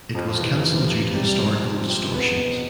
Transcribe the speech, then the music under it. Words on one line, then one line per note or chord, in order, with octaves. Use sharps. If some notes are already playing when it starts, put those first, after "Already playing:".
It was canceled due to historical distortions.
F2 F3
C3 E3
F2 F3
C3 E3
C3 G3
F3 C4
C3
F3 C4
E2 B3
B2 B3